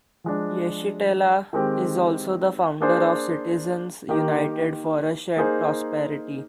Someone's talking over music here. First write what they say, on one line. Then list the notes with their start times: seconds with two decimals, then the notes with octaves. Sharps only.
Yeshitela is also the founder of Citizens United for a Shared Prosperity.
0.24 F3 G#3 D4
1.53 D#3 G#3 C4 G4
2.80 A#3 D4 G#4 C5
4.09 D#3 A#3 D#4 G4
5.37 A#3 D#4 G#4 C5